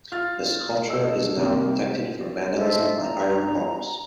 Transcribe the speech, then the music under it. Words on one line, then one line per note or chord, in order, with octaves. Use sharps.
The sculpture is now protected from vandalism by iron bars.
F4 F6 A6
A3 D#5 E6
C3 D#3 G3 A#3 C4
C5
A4 C5 D#5 E5
A#5